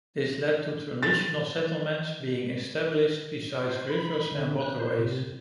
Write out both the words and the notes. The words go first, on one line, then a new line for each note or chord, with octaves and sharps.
This led to traditional settlements being established beside rivers and waterways.
A6
C5
B5
D3
F#6
C5
C3